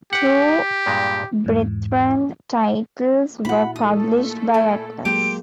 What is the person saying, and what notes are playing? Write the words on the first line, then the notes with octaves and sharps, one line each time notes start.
Two brethren titles were published by Atlas.
G4 F#5
G2 A#2 G#3
E2 G#2 E3
A#2 E4 F#4 F#5 B5
A#2 A3 D#4 A4 D#6
E4 G#5
F#3 G#3 A#3 G4 C5 D7